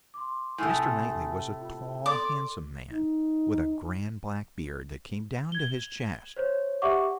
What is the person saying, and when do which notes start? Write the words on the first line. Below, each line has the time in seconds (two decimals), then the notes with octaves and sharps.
Mr. Knightley was a tall, handsome man, with a grand black beard that came down to his chest.
0.14 C6 D6
0.58 A2 C3 A3 G#5 A5 D#6
1.61 F4
2.06 A4 D5 C6 D6
2.91 D#4
5.52 G#6 G7
6.36 C5 C#5
6.82 G4 D5 E5 F#5 C#6 D6